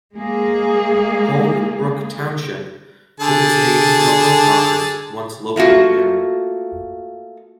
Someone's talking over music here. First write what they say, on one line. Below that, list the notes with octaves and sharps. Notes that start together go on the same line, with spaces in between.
Home Brook Township took its name from a post office once located there.
G#3 A#3 G#4
D3 G#4 A5
A3 A#3 F4 F#4